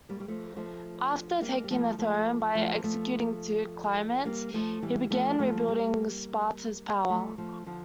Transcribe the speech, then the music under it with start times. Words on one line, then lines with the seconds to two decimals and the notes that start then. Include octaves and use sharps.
After taking the throne by executing two claimants, he began rebuilding Sparta's power.
0.09 G3 A#3
0.20 G3
0.28 F3 A3
0.56 F3 A3
1.42 G3 A#3
1.64 G3
1.70 F3 A3
1.98 F3 A3
2.55 F3 A3
2.75 A#3
2.84 F3 A3
4.25 G3 A#3
4.54 F3 A3
4.82 E3 G3
5.10 F3 A3
5.39 F3 A3
5.67 G3 A#3
7.09 F3 A3
7.38 F3 A3
7.66 D3 F3